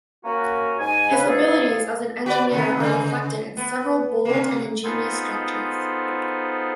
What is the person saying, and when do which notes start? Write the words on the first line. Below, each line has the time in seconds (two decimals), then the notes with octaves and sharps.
His abilities as an engineer are reflected in several bold and ingenious structures.
0.25 A#3 C#4 F#4
0.79 G#2 G#5
1.11 C#3 B4
1.27 E2 G#2 B2 G#4 A4 F5
2.26 F#4 B4 D5
2.51 C3 D#3 B3
2.80 C#3 G#3
3.57 B3
4.25 C3 A#3
4.84 B3 D#4 F4 G#4 A4 C5